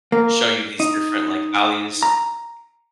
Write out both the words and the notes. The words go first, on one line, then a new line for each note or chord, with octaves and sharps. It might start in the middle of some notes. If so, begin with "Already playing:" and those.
show you these different, like, values.
A#3
D#4
A#5